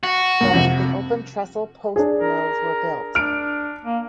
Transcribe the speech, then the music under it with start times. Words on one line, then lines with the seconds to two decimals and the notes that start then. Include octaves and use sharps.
Thus the open trestle post mills were built.
0.03 F#4
0.40 C#2 G2 A#4
0.53 F2 C3
1.96 D4 G#4
2.20 A#4
3.15 D4 F6 D7
3.85 A#3